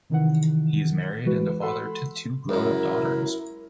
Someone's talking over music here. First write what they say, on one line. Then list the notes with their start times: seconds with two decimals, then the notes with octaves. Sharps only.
He is married and a father to two grown-up daughters.
0.10 C3 D#3 E3 F#5
1.25 E3 G#3 F#4 B4
1.62 A4 F#5 B5 C6 E6
2.49 C#2 F#2 E4 A#4